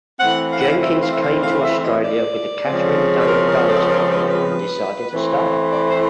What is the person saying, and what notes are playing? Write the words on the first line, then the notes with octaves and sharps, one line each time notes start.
Jenkins came to Australia with the Katherine Dunham Dance Company and decided to stay.
E3 A3 C4 F#5
F5
F#5
F5
E5
F5
E5
F5
F5
E5
D#5
D5
C#3 F3 G#3 C4
B4
A#4
A#4
A4
A#4
B4
B4
E3 A3 C4
D5
C5